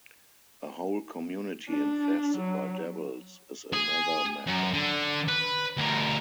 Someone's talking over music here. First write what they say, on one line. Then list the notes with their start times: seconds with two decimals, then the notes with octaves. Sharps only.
A whole community infested by devils is another matter.
1.69 D4
2.37 F#3
3.73 G#4
4.47 F#2
4.74 D3
5.28 B4
5.77 D2 A#4